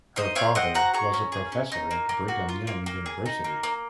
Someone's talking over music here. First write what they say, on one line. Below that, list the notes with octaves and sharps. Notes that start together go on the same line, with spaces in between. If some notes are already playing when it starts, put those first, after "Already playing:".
Her father was a professor at Brigham Young University.
D#4 C5 D#5
C4 C#5 F5
C4 D#5 F#5
F#4 F#5 A#5
G#4 A#5 C#6
C#4
G#4
C#4
D#4
A#3
A#3
F#4
F4
A#3
A#3
G#4
D#4
A#3
A#3